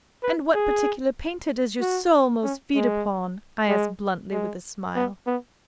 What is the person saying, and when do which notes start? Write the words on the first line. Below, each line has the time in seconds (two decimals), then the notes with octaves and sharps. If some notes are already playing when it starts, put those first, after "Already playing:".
'And what particular painter does your soul most feed upon?' I asked bluntly, with a smile.
0.23 B4
0.55 G#4
1.81 F#4
2.43 C#4
2.75 G#3
3.69 G#3
4.32 G#3
4.95 B3
5.27 B3